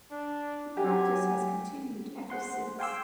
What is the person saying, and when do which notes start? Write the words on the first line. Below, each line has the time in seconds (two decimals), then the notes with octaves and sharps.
The practice has continued ever since.
0.11 D4
0.77 F#3 G4 G#5
2.30 G#4 C5 F#5 C6
2.79 F5 G5 G#5 C6 D6 E6